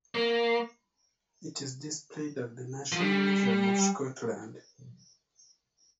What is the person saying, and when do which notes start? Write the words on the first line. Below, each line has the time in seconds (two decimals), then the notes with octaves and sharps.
It is displayed at the National Museum of Scotland.
0.15 A#3
2.92 F3
3.00 G3